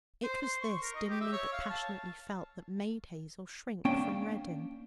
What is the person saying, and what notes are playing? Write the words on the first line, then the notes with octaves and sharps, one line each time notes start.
It was this, dimly but passionately felt, that made Hazel shrink from Reddin.
C5
C6
C#6
A#4
D#5
G4
E5
C#5
F5
A5
A#3 C#4 D4 F#5 G5